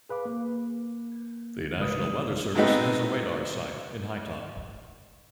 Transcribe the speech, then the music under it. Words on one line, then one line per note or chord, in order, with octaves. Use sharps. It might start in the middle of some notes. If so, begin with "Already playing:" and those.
The National Weather Service has a radar site in Hytop.
G#4 B4 F5 D6
A#3
A1 C#3 G#3 A#4 B4 D#6
F#3 G#3 A3 B3 C4 D#4